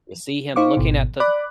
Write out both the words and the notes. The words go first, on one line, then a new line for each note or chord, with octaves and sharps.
you see him looking at the
D#4 C5 F5 C#6 D6
G#1 B2
D5 B5 D6 F#6